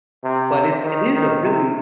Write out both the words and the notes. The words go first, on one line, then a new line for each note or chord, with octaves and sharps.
But it's it is a really
C3
D#3
D#3
C3